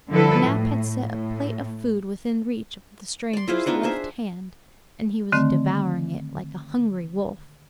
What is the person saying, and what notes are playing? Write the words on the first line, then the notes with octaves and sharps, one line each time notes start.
Nap had set a plate of food within reach of the stranger's left hand, and he was devouring it like a hungry wolf.
D3 F3 G3 E4 A4 B4
A2
A2
D5 C6
E4 F4 G#4 C5
B3 D4 D#4 F4
G#4 C5 E5
D3 D#3 A3 C4